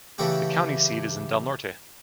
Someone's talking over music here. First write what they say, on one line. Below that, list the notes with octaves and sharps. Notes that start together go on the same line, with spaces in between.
The county seat is Del Norte.
C#3 E3 A3 E4 F#4 G4